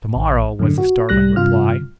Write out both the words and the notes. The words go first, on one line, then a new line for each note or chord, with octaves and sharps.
"To-morrow," was the startling reply.
A1
F#2 A2 D3
F#4
C2 G3 F#6 A#6
G2 C3 F4 F6